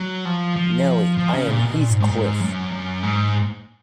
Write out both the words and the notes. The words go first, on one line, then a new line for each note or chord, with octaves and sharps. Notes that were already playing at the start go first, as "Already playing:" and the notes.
Nelly, I am Heathcliff!
Already playing: F#3
F3
F3
F3
C#3
A#2
B2
A#2
G#2
G#2
G#2
F#2
F#2
G#2